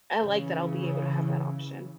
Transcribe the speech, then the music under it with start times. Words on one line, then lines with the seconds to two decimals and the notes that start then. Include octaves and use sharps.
I like that I'll be able to have that option.
0.23 C#3 E3